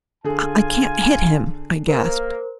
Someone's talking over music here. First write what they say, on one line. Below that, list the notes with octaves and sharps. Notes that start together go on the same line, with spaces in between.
"I can't hit him," I gasped.
D3 F4 G#4 G#5
A#3 A#4 C5